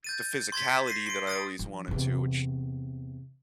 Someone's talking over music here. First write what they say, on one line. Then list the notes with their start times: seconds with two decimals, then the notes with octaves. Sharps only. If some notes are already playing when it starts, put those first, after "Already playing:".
the physicality that I always wanted to- which,
0.04 G6 A6 D#7
0.52 C6 G#6 A6 B6
0.87 A#6 C7 D#7
1.06 C6 D7
1.27 D#6 A6 D7
1.59 F3
1.88 E2 C3